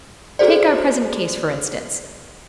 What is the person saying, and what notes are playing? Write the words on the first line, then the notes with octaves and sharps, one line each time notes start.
Take our present case, for instance.
F#4 G#4 A4 C5 D5